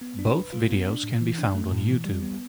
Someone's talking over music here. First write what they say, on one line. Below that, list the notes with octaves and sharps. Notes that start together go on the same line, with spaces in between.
Both videos can be found on YouTube.
B3
D4
B4
F4
B3
D4
A2
E3
D4
A3
A2
E3
G3
B3